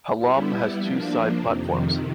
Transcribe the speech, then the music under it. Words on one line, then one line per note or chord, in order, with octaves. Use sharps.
Hallam has two side platforms.
G3 B3 E4
F3 A#3 D4
F2 C3 D#3